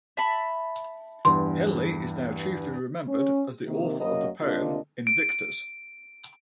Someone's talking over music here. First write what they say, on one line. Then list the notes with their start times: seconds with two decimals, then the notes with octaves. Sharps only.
Henley is now chiefly remembered as the author of the poem "Invictus".
0.17 E5 A5 B5
1.25 E2 G2 C6
3.08 C#4
3.65 C3 D#3 A#3
4.01 F#2 F#3 A#3 D#5
4.42 D2 C3 A#3 D4 F4 D#5
5.07 D7